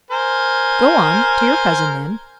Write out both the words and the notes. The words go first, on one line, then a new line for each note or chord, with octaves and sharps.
"Go on, to your cousin, then!"
A#4 C5 G#5